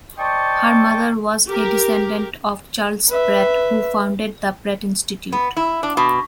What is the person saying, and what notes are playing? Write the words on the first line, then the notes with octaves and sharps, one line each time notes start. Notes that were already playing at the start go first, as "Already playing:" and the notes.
Her mother was a descendent of Charles Pratt, who founded the Pratt Institute.
C5 D5 D#5 G5 A5 C#6
G4 A#4
B4 E5
B3
E4
D4
B2